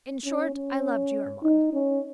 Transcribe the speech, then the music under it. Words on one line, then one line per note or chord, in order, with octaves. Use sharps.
In short, I loved you, Armand.
C#4
C#4
D#4
C#4